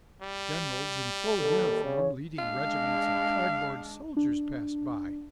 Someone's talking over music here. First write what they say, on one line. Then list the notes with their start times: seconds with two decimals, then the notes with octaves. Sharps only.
Generals in full uniform leading regiments of cardboard soldiers passed by.
0.22 G3
1.38 D#2 A4
1.83 C#3 C#5
2.39 G#3 D4 F5
4.17 D4